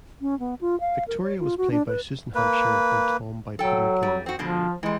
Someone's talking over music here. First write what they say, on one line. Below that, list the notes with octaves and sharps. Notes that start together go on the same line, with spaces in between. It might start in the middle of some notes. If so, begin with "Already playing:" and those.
Victoria was played by Susan Hampshire and Tom by Peter Gilmore.
C#4
B3
F4
F5
A#4
C#5
F4
F#4
D4
B4
A#3 B4
F#3 A4 G5
G3
C4 F#4
B2 D3 F3 G#3
E3 G3 G#3